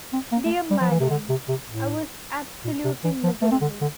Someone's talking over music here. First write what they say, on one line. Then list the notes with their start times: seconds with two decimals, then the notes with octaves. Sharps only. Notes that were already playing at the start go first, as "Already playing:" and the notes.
Dear madam, I was absolutely miserable!
0.13 C4
0.32 A#3
0.45 A3
0.71 G3
0.81 F3
0.91 E3
1.00 C3
1.10 D3
1.29 C3
1.48 C3
1.68 A2
2.64 A#2
2.84 C3
3.04 E3
3.23 F3
3.42 A3
3.51 C4
3.61 D3
3.81 D3